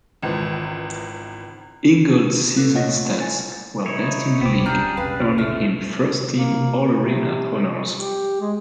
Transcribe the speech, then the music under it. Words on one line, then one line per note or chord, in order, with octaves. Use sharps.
Ingold's season stats were best in the league, earning him First Team All-Arena Honors.
G#1 C#2 E3 F3
C4 A4 B4
A3 F4 C#5 D#5 F#5 A#6
E4 G#5 A6
D#4 E4 C#5
F1 D2 B3 C4 D6
C#3 D4 G4 G#4 A#5 F6 G6
B1 F2 C3 B4 F5
A3 F6
A#3
C3
G4
G#3